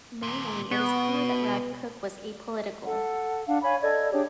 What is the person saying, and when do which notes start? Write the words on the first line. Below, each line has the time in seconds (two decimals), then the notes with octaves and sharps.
Mainly, it is clear that Rav Kook was apolitical.
0.23 D#2 A#2
0.71 B2 B3
2.84 A4 F#5
3.47 D4 F5 F#5
3.63 C#5 F5 G#5 B5
3.81 A4 D5 D#5 G#6
4.12 D4 G4 G#4 C#5